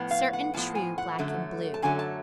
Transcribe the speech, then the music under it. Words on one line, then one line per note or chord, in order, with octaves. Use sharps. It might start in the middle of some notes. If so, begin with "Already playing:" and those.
Certain, true, Black and blue.
Already playing: A2 F3 B3
F5
F#5
A2 F3 B3 A5
G#5
F#5
F#2 D3 F#3 A3
A5
F#2 D3 F#3 A3 G#5
A5